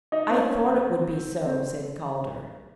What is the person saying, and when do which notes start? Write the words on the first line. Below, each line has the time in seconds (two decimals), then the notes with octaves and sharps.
"I thought it would be so," said Calder.
0.12 D#4
0.30 C4
0.40 C#4
0.66 C4
1.46 C4